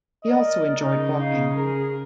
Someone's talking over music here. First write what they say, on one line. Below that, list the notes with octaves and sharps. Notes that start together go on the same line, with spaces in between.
He also enjoyed walking.
A#4 D5 D#5
C#3 D#4
D#4 F5
G#4 A#4